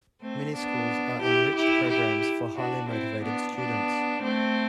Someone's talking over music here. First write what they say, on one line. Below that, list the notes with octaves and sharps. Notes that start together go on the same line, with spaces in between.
Mini schools are enriched programs for highly motivated students.
A3 C4
B3 D4
E4 G4
E4 G4
E4 G4
D4 F#4
C4 E4
B3 D4
B3 D4
A3 C4